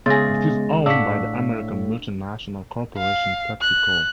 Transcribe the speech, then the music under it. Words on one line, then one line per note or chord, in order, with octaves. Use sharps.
It is owned by the American multinational corporation, PepsiCo.
C#3 G#3 B3 G#4 A6 A#6
A2 D4 F5 F#5 C#6 E6 B6
F5
F#6